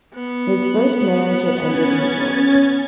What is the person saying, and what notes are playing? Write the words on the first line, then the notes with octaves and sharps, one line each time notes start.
His first marriage had ended in divorce.
B3
C#4 G#6 A6